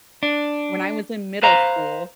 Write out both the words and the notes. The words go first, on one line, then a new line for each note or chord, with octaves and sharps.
When I was in middle school
D4
B4 C5 F5 A#5